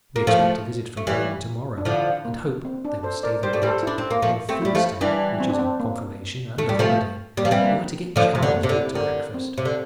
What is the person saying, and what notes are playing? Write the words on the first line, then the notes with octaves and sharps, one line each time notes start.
We expect a visit from them to-morrow, and hope they will stay the night; and on Thursday, which is a confirmation and a holiday, we are to get Charles out to breakfast.
A#3
F3 A3 E4 G4
A3
E3 G3
D4
D3 F3 E4
A#3
C4
D4
A4 C5
A#4 D5
G3 C5
A3 D5
E3 G3
A4 C5
D4 E4 G4
C4
A#3
F3 A3
A3 C4
G3 E4
F3 A3
E3 G3 D4
C4
D4
C4
A#3
A3
G3
F3 A3
G3 A#3
F3
E3 G3 C4
A#3
D3 F3 A3
C3 A3
D3
A#3
C3
D3
E4 G4
D3 G4 A#4
C4
C3
D3